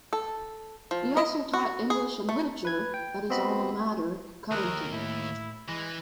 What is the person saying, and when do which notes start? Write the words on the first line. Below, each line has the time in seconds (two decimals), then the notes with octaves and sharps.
He also taught English and Literature at his alma mater, Cuttington.
0.13 A4
0.91 F3
1.17 D#5
1.54 F#4
1.90 G#4
2.29 A3
2.65 B4 G#6
2.94 G5
3.30 B3 C4 F#4 D#5 B5
4.51 D#2 A#4 D#6 E6 F#6
4.92 A2 E4
5.69 E3 G#3 A#6